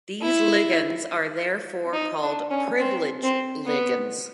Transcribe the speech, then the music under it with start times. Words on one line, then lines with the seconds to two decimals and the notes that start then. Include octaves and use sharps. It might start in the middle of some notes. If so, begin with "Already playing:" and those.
These ligands are therefore called privileged ligands.
0.21 E4
1.93 D#4
2.22 D4
2.50 C#4
2.79 C4
3.23 C4
3.66 B3